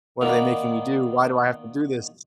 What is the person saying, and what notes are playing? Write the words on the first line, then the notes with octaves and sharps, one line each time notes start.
what are they making me do? Why do I have to do this?"
D#3 A#3 B3 D4